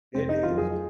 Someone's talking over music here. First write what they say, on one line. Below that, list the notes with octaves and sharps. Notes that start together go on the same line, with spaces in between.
It is.
F1 C4
D#4
F2 D#3 F#3 F4
G#4